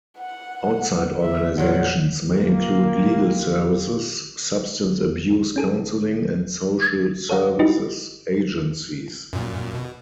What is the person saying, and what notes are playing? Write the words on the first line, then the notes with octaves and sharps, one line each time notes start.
Outside organizations may include legal services, substance abuse counseling and social services agencies.
F#5
E5
A#2 F#3 A#4 F#5
A#3 F4 G4
C#4 G#4 A4
A4 C#5 F5 F#5 A#5
D#4 E4 F#4 G4 B4 D#5
F#2 A#2
B2